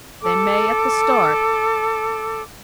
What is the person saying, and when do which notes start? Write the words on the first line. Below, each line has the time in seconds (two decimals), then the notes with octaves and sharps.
"They may at the start."
0.22 A4 D6